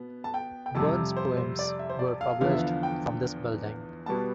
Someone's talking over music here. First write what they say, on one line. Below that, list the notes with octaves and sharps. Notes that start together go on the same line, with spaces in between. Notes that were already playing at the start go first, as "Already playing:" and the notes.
Burn's poems were published from this building.
Already playing: B2 B3
A5
G5
G5
F2 C3 G3 A5
C5
C5
D5
E5
C5
D5
F5
E2 D3 F3 B3 F5
E5
F5
G5
B2 G3 B3 A5